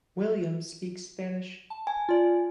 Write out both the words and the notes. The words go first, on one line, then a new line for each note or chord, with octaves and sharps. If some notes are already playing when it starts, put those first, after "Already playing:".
Williams speaks Spanish.
A5
G#5
F4 D5